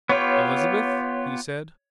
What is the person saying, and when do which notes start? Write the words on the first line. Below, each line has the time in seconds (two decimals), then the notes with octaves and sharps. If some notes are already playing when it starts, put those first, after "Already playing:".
"Elizabeth?" he said.
0.09 B3 F4 G4 C#5